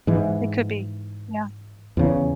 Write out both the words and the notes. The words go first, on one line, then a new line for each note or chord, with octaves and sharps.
It could be, yeah.
G#2 E3
E2 C#3